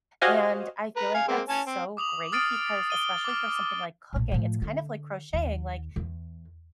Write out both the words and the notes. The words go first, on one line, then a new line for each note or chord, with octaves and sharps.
And I feel like that's so great because especially for something like cooking, it's kind of like crocheting, like,
F#4 G4 C5 D#5 F5 G#5
B4 A#5
F5 G#5
G#3 A#3 C4
C#4 G#5 A5
C4
D6 D#6 F7 F#7
D#6 F6 A6 C7 D7 D#7
D#7 G7
D6 F6
A#1 A2
A2 F3
D3
D#2
E2